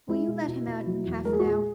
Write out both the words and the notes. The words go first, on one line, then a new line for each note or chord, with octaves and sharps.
Will you let him out in half an hour?
G#3 E4
B2
B2
B2
F#3
E2
G#3 A#4
G#4
F#4
A#2 G#4